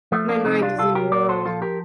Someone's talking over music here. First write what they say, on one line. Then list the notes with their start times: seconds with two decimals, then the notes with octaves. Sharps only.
My mind is in a whirl.
0.12 F3 A3
0.29 A#3 D4
0.46 C2 C4 D#4
0.62 D4 F4
0.79 C2 F4 A4
0.95 G4 A#4
1.12 A#2 A#4 D5
1.29 A4 C5
1.45 F3 F4 A4
1.62 G4 A#4